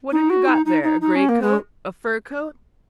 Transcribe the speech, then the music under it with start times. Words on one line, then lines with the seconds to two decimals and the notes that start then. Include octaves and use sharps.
What have you got there, a great-coat, a fur coat?
0.11 D#4
0.30 F#4
0.47 D#4
0.65 D#4
0.83 D#4
1.01 D#4
1.15 C#4
1.29 A#3
1.42 G#3